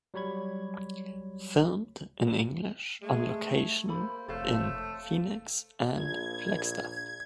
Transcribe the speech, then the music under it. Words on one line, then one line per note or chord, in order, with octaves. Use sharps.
Filmed in English on location in Phoenix and Flagstaff.
F#3 G3 C#5 B5 G#6
G#3 A3
A#3 A4 C5 B5
F1 A3 A4 C#5 F5
A#1 G#6